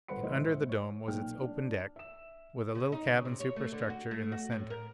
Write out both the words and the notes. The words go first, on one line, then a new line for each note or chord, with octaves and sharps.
And under the dome was its open deck with a little cabin superstructure in the center.
G1 B4 C5 F#5 B5 C#7
E1 A2 E3 C5 D#5 E5
C#5
B1 A#2 A3 A4 G5 F6
D4
E5 E7
C#3
D#4
C#3
C3
C#5
A3
D3
F#4
A3
F#4
A2
A#4